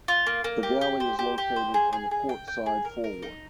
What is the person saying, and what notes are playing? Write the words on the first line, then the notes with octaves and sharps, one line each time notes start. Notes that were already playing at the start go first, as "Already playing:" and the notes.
The galley is located on the port side forward.
F4
A#3
A#3
G4
G4
C5
G4
G4
C5
G#4
G#4
G#4
G5
G5
G#4
A#4
A#4
D#4